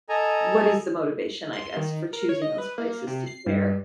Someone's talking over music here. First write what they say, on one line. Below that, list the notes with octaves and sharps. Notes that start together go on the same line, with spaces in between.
what is the motivation, I guess, for choosing those places to share?
A4 D#5 G#5 A#5
C6
D#3
A#4
C#5
D#5
B4
A#3
C3
C7
G2